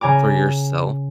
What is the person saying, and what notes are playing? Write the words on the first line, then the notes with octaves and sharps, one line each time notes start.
for yourself,
C#3 G#5 A#5 D6